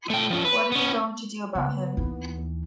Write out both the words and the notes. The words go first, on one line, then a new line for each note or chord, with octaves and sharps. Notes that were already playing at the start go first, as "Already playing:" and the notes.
What are you going to do about him?
A3 G5
F3 C#4
B4
B3 C#4
C#3 B3
D#2 E3